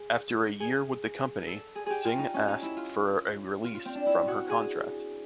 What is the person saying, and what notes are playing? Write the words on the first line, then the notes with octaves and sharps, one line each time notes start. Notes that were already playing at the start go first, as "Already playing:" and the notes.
After a year with the company, Sing asked for a release from her contract.
Already playing: G#4
G#4
A4
G#4
G4 G#4
F4
D#4
C#4
D#4
E4
F4
F4
F4
C4
D4
E4
F#4
G#4